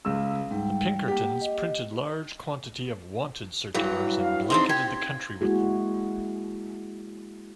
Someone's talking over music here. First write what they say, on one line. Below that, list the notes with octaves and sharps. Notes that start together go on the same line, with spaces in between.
The Pinkerton's printed large quantity of "Wanted" circulars and blanketed the country with them.
C#2 E6
G#2 G3 G5
A#3 G4 F#5 G5
D#5
G2 E3 F#3
F5
C4 D4 D#4 C6
G4 G#6
G#3 A#3 E4 F#4 G#4